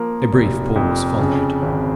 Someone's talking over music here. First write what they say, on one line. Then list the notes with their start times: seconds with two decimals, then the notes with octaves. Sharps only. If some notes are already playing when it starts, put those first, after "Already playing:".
A brief pause followed.
Already playing: F3 A#3
0.33 F1
0.76 F2
1.19 C#3
1.62 G#1